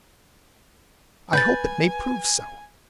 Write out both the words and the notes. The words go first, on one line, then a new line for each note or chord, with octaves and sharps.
'I hope it may prove so.
B4 G#5 G6 A6